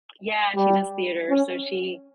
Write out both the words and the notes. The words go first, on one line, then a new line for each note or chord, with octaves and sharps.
Yeah, she does theater, so she
G3
C#4